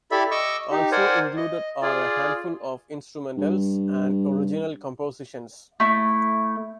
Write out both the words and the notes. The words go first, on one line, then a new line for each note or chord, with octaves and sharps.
Also included are a handful of instrumentals and original compositions.
E4 G4 A4 D5 E5 B5
D#5 C#6 D6 E6
D#4 G4
A#4 C5 D5 F#5 G#5
D#5
F4 G#4 D5
G2
A3 E4